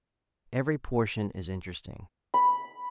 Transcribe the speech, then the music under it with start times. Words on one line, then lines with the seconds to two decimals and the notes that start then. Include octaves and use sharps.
Every portion is interesting.
2.34 B5